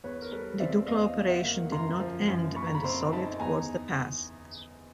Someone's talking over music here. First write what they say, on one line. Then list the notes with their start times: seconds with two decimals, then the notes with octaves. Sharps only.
The Dukla operation did not end when the Soviets forced the pass.
0.04 E2 B4 C#5
0.22 A#4
0.32 G3 A4 B4
0.60 C4 D5 E5
0.87 E2 D#5 F5
1.16 F#3
1.30 E5 F#5
1.44 A#3
1.72 F#2 A#5 C6
2.00 F3
2.28 F#2
2.56 A#2 B5 C#6
2.67 A#5
2.75 B5
2.84 C4 A#5 C6
3.12 D#4 A5 B5
3.40 E2 G#5 A#5